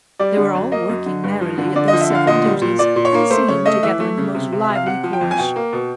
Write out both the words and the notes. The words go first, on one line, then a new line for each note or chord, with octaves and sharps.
They were all working merrily at their several duties, and singing together in the most lively chorus.
G3 D5
D3
F#2
A#3 D#5
F#2
D3
G2
F3
D3
D3 D5
D#5
F3
E5
D3 F5
A#2 D#5
G3
A#2
A#2 D5
A#2
C#5
A#3
A3 C5
C#3 C#5
A3 D#5
E3 E5
A3
C#3
C3
C3
E5
C3
F5
C3 F#5
F3
G5
F2
G#5
B2 G5
A#3
B2